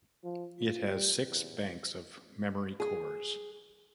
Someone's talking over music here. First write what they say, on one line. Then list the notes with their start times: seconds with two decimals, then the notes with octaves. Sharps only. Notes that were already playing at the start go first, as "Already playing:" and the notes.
It has six banks of memory cores.
0.25 F3
0.58 F4
0.87 G3
1.24 E2
2.80 G#4